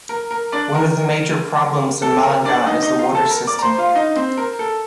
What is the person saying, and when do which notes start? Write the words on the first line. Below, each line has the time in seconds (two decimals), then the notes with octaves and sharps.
One of the major problems in Malangas is the water system.
0.09 A#4
0.31 A#4
0.52 D4 D5
0.75 A#4
2.02 A4
2.23 A#4
2.45 D4 D5
2.66 D#4 D#5
2.83 D#4 D#5
2.99 F4 F5
3.14 A4 A5
3.30 A#4 A#5
3.47 D5 D6
3.59 A#5
3.62 C5 C6
3.78 F4 F5
3.89 F5
3.95 D#4 D#5
4.16 C4 C5
4.37 A#4
4.59 A4